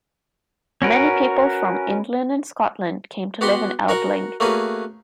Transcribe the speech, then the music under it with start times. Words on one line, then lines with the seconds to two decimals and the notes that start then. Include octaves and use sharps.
Many people from England and Scotland came to live in Elbling.
0.82 C#4 F#4 A#4 B4
3.41 B3 F#4 G4 F#5 B5 C6
3.88 F#4 A#4 F#5 C#6
4.40 A3 A#3 C#4 F#4 G#4 B4